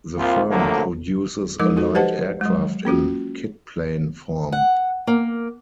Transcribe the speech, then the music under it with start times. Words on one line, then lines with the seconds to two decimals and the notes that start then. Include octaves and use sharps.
The firm produces a light aircraft in kitplane form.
0.18 C2 A#3 C4 F4
0.49 C2 D3 F3 F#3 A3 A#3
1.60 F3 G#3 D#4 A#4 D6
1.76 D#4 F#4 A4
1.95 G4 B4 C5 D#5 F#5 A5
2.41 F#3 G#3
2.85 A#3 C#4 F4 F#4
4.52 F#5
5.07 A#3